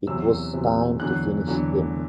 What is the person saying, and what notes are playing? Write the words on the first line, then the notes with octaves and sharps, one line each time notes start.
It was time to finish him.
E2 C3 F#3 E6
E2 C3 F#3
E2 D3 F#3 F#6
E2 D3 F#3